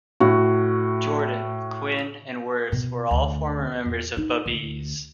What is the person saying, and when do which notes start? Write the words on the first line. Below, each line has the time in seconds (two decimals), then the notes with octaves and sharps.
Jordan, Quinn and Wirth were all former members of Babeez.
0.20 A2 F#4
2.72 B2
3.11 D2
3.86 E2
4.17 D#4
4.46 D2